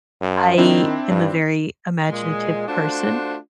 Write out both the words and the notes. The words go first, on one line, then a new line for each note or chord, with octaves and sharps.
I am a very imaginative person.
F#2
D#3 C4 D4 E4
G2
A#2 G#3
A3 D4 F4 F#4 C5